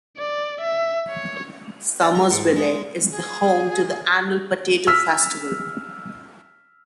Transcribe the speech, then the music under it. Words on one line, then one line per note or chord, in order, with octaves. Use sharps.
Summersville is home to the annual Potato Festival.
D5
E5
C#5
D5
A#5
G#2
G#3
G#4
E6 F6 B6